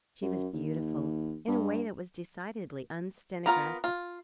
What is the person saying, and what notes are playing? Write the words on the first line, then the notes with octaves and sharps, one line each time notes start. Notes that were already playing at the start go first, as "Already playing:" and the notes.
She was beautiful in a way that was decidedly unstenographic.
F#2
D#2
G2
B3 F4 A#4 A#5
F4